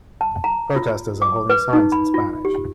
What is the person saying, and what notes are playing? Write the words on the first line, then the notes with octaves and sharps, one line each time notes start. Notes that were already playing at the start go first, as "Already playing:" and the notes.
Protesters are holding signs in Spanish.
A5
A#5
F4
D6
B4
D#4
B5
F4
G4